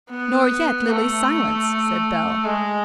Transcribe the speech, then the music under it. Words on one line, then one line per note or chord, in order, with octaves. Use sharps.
"Nor yet Lily's silence," said Bell.
B3
A3
G#3